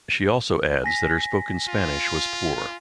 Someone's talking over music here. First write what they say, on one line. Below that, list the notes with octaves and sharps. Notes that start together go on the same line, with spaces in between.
She also adds that her spoken Spanish was poor.
G#5 A#6 B6
F4